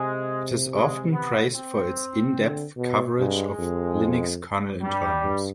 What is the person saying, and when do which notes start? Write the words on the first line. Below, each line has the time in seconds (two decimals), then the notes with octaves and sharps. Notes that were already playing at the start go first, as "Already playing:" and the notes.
It is often praised for its in-depth coverage of Linux kernel internals.
Already playing: C3 G#3
0.73 G#3
1.13 B3
1.54 C4
2.37 D3
2.77 B2
3.18 G2 G#3
3.59 F2
4.82 G2 G3
5.22 G2